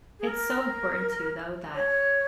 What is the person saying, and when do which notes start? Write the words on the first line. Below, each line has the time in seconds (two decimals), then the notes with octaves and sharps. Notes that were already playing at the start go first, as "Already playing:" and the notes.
it's so important too, though, that
0.19 G#4
0.27 A#4
1.75 C#5